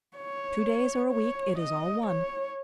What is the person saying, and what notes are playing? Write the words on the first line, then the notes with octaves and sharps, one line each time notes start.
Two days or a week, it is all one.
C#5
C#5
D#5
C#5